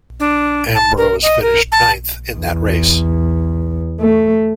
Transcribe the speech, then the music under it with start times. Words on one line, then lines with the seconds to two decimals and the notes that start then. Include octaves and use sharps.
Ambrose finished ninth in that race.
0.20 D4
0.75 A5
0.97 A#4
1.22 D#5
1.42 A#4
1.72 A5
2.36 E2
4.00 A3